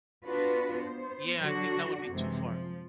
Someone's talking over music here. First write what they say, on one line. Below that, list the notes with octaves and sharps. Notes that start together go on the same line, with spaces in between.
Yeah, I think that would be too far.
B3 D4 F4 F#4 B4
B3 C5
D3 F#3 D4 F#4
F#2 C3 E3 G#3
F3